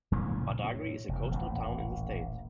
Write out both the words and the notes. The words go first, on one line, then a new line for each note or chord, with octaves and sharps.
Badagry is a coastal town in the state.
F2 A#2 C#3 E3
A2
F1 D#2
D#1 A1